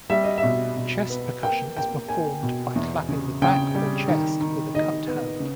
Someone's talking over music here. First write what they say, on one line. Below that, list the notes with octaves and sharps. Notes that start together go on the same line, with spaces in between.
Chest percussion is performed by clapping the back or chest with a cupped hand.
G3 E5
D#5
E5
B2
B2
B3
A#3 G5
A#3 G5
A#3 G#5
B2
E2
C#3
C#3 G5
G3
D#3
D#3
D#3 D#5
B3
C#3